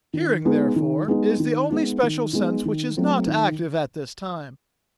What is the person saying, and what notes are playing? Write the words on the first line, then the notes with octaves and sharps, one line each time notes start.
Hearing, therefore, is the only special sense which is not active at this time.
D#3
G#3 B3 D#4
D#3
G#3 B3 D#4
D#3
G#3 B3 D#4
D#3
G#3 B3 D#4
D#3
F#3 A3 C4
D#3